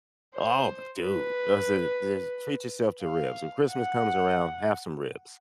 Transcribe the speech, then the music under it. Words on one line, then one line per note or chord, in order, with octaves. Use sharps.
Oh, b dude. I said, "Just treat yourself to ribs. When Christmas comes around, have some ribs."
C5
B4
F5
F#5